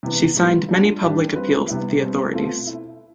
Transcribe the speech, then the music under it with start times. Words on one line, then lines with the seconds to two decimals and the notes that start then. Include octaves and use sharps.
She signed many public appeals to the authorities.
0.03 C3 E3 B3
0.36 A2 G3 B3 F4
0.69 G3 D4 F4
1.02 A2 E3 G3 D4 G4
1.35 G3 C4 F4 B4
1.68 C3 G3 B3 E4
2.01 B2 G3 C4
2.34 B2 A3 C4 F4 A4
2.67 E4